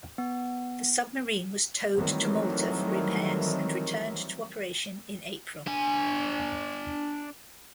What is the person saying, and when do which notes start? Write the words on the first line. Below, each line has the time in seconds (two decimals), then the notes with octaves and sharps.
The submarine was towed to Malta for repairs and returned to operation in April.
0.18 B3
1.93 D#3 E3 F#3 G3 A3 C4
5.67 D4 G#5